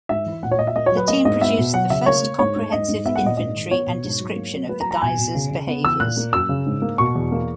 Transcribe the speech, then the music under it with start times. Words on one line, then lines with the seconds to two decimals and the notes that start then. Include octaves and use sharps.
The team produced the first comprehensive inventory and description of the geysers' behaviors.
0.09 G#2 E5
0.26 E3
0.43 A#2 F#5
0.51 C#5
0.59 A#2 D#5
0.67 E5
0.76 A#3 D#5
0.86 C#5
0.91 F#3
0.97 B4
1.08 A#3 D#5
1.25 G#2 D#5
1.40 B3 E5
1.58 B2
1.74 F#3 F#5
1.90 C#3 E5
2.06 A#3 C#5
2.23 A#3
2.39 G#2 C#5
2.56 G#2
2.72 G#2 D#5
2.89 G#2
3.05 B3 E5
3.16 F#5
3.22 A#2 D#5
3.37 G#2 D#5
3.54 D#3
3.70 B3 C#5
3.87 B2
4.04 G#2
4.20 F#3
4.36 A#3
4.52 F#3
4.69 A#3 B4
4.81 A#5
4.85 F#3
4.91 A#5
5.02 B2 G#5
5.18 B2
5.35 C#3
5.51 C#3
5.67 B3
5.85 E3 E6
6.00 A#2 F#6
6.17 A#3
6.33 F#2 E6
6.49 C#3
6.66 G#2
6.82 A#3
6.98 B2 C#6
7.15 E2
7.32 A#3